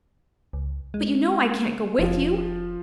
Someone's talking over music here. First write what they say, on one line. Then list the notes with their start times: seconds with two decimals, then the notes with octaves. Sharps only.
But, you know I can't go with you.
0.53 C#2
0.94 G#3
1.99 F1 F3